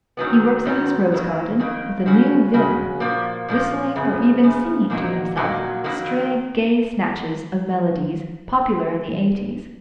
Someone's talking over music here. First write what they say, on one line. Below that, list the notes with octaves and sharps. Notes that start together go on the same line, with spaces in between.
He works in his rose-garden with a new vim, whistling or even singing to himself stray gay snatches of melodies popular in the 'eighties.
G#2 D#3 F#3 B3
G#2 D#3 F#3 B3
F2 D#3 A#3
F2 D#3 A#3
C#3 G#3 C#4 F#4
C#3 G#3 C#4 F#4
A#2 F3 A#3
A#2 F3 A#3
F#2 C#3 F3
F#2 C#3 F3
A#2 F#3 A#3 D#4 F#4
A#2 F#3 A#3 D#4 F#4
F2 D#3 F#3 A#3